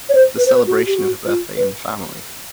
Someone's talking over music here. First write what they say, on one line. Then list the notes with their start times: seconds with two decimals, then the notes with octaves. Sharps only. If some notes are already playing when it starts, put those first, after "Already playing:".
The celebration of a birthday in the family.
0.09 C#5
0.15 C5
0.37 B4
0.46 C5
0.55 B4
0.67 F#4
0.87 G4
0.97 F#4
1.27 F4
1.57 B4